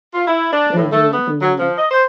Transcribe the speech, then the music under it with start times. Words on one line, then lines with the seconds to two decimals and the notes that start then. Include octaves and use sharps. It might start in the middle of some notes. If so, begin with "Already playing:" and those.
Mhm, mhm.
0.14 F4
0.27 E4
0.52 D4
0.76 A2
0.91 A3
1.12 B3
1.41 F#3
1.59 F3
1.77 D#5
1.91 C5